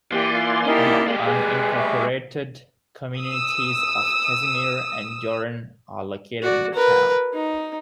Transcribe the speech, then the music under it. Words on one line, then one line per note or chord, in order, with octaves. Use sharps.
The unincorporated communities of Casimir and Jordan are located in the town.
E3 A#3 G4 D5 C6
F4
C#4 D#4 E4 G4 A#4
G#3 G4
G#4 B4
E5 C#6 D6
D#6 E6
F#4 D5
A#4 B4
D#4